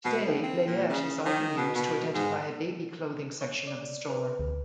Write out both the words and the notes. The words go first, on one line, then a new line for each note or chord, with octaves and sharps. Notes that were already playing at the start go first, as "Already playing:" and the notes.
Today "layette" is often used to identify a baby clothing section of a store.
B2
D#2
C4
A#2
C#3
D#3
B2
B2
G#2
C#5
D5
B4
D2